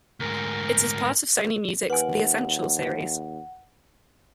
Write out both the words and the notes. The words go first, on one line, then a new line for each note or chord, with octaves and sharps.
It is part of Sony Music's "The Essential" series.
D2 G#2 A#4
D#2 B4 F#5 G#5